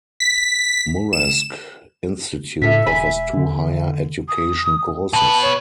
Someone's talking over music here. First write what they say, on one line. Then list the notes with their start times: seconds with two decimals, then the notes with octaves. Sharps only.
Muresk Institute offers two higher education courses.
0.20 B6
1.13 E7
2.62 A2 A4 E5
2.86 E1 E5 G#5 B5
3.37 D3
4.29 D#6
5.13 B2 B4 A5
5.42 C#5